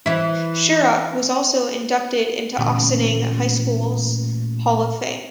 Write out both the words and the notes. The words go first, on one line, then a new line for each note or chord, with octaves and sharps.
Sharrock was also inducted into Ossining High School's Hall of Fame.
E3 E4
A1 A#2 D3 C#4